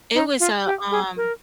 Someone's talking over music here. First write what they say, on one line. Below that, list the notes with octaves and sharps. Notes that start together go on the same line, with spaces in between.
it was a, um
D#4
F4
G4
G#4
A#4